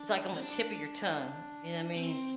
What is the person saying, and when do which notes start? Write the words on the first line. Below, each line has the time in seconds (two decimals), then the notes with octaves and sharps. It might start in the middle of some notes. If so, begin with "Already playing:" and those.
it's, like, on the tip of your tongue, you know I mean?
Already playing: D4
0.33 C4
0.42 D4
1.96 C4